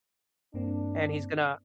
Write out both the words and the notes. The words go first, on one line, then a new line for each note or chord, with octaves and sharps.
and he's gonna
G2 A#3 C4 D4